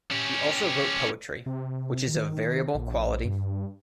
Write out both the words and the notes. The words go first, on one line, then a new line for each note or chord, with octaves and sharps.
He also wrote poetry, which is of variable quality.
C#4 G4
C3
D#3
A#1
G2